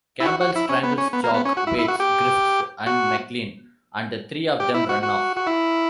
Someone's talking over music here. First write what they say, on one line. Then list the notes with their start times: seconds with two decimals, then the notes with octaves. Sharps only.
Campbell strangles Jock, wakes Griffiths and McLean, and the three of them run off.
0.20 E4
0.26 F#4
0.41 F#4
0.55 E4
0.69 C#4
0.83 B3
0.98 C#4
1.13 B3
1.24 A#3
1.34 B3
1.45 C#4
1.57 F#4
1.67 E4
1.79 E4
1.88 F#4
2.00 G4
2.86 F#4
4.60 G4
4.74 E4
4.89 F#4
5.03 F#4
5.37 F#4
5.47 E4